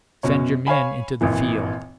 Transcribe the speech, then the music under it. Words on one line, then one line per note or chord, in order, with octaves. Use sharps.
Send your men into the field.
F#2 B2 C#4
C#5 F5 G#5 B5
G#1 A#2 E3